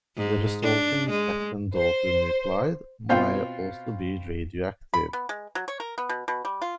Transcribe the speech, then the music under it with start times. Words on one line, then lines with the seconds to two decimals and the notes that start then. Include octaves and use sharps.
The resulting second daughter nuclide may also be radioactive.
0.17 G#2
0.63 D4
1.10 G#3
1.76 C5
3.09 B2 C4 F4 C5 F5 G5
4.94 B5
5.13 B3
5.29 G#3
5.55 F#3
5.68 C#5
5.80 A#4
5.98 B3
6.09 B2
6.28 B2
6.45 G3
6.62 F4